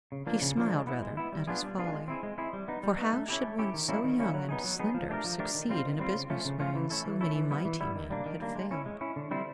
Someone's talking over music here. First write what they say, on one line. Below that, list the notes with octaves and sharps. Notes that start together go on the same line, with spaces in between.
He smiled rather at his folly, for how should one so young and slender succeed in a business wherein so many mighty men had failed.
C#3
F3 A#3 D4
C#3
F3 A#3 D4
G#3
B3 E4
G#3
B3 E4
G3
B3 D4 F4 G#4
G3
B3 D4 F4 G#4
G#3
C4 E4 G#4
G#3
C4 E4 G#4
G3
B3 D#4
G3
B3 D#4
A3
C#4 E4 G4
A3
C#4 E4 G4
D#3
G3 A#3 C#4 E4
D#3
G3 A#3 C#4 E4
F#3
B3 D#4 G#4
F#3
B3 D#4 G#4
F3
A3 D4 G4 A#4
F3
A3 D4 G4 A#4
D#3
G3 C4 F4
D#3
G3 C4 F4
C#3
F3 A3 C#4 F4
C#3
F3 A3 C#4 F4
E3
A3 C#4 E4 A4
E3
A3 C#4 E4 A4
E3
G3 B3 E4
E3
G3 B3 E4
D#3
G3 A#3 D4
D#3
G3 A#3 D4
G#3
C#4 E4
G#3
C#4 E4
D3
G3 C4 E4